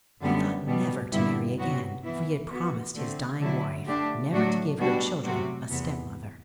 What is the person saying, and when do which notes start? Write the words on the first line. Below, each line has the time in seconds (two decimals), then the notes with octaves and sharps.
He thought never to marry again; for he had promised his dying wife never to give her children a stepmother.
0.21 F#2 D3 G3 B3
0.67 B2 G3 B3
1.12 G2 D3 G3 B3 E4
1.57 C3 F#3 B3 F#4
2.04 E3 B3 E4
2.49 E3 B3 F#4
2.95 D3 A3 C4
3.40 D3 F#3 A3 E4
3.87 D3 A3 D4 G4
4.32 A2 F#3 A3 D4 F#4
4.78 B2 G3 D4 F#4
5.23 C3 F#3 A3 C4 F#4
5.69 E2 C3 E3 B3